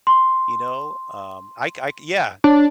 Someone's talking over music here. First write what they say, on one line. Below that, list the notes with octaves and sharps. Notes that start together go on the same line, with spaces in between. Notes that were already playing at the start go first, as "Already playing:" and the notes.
you know? Um, I c I c yeah,
C6
D4 C#5